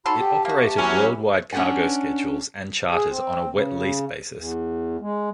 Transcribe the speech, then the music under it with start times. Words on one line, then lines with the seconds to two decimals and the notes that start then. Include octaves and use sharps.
It operated worldwide cargo schedules and charters on a wet-lease basis.
0.06 F#3 D#4 F#4 A4 B5 C6
0.19 G4 G5 A5
0.45 A#3 F#4 E5 A5
0.78 E3 F#3 C#4
1.53 C#4 D4 G4 F#5 G#5
2.93 G#4
3.08 C4
3.50 C#3
4.35 E2
5.01 G#3